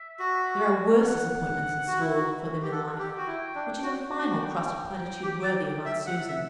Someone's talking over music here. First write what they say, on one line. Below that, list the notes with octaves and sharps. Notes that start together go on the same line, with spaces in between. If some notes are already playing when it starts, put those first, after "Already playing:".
'There are worse disappointments in store for them in life-- Which is a fine old crusted platitude worthy of Aunt Susan.
Already playing: E5
F#4
F#5
F#4
E4
F#4
G4
A4 F#5
G4
F#4 G5
E4
D4
F#4
F#4
G5
G4
D5
E5
F#5
E5